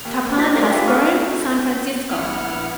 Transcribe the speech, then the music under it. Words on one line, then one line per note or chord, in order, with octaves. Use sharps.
Chapan hass burn San Francisco.
D#2 F7
F#3 C4 E4 C6 D6 B6
A#3 C4 C#4 A#4 D5
F4 G4 B4 E5 G5
F#4 A4 F5 C#6 F6
A#1 B3 E4 F#5 F6